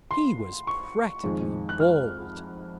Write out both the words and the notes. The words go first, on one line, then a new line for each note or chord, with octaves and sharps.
He was practically bald.
C6
C#6
F2 D#3 G#3
F#6
F6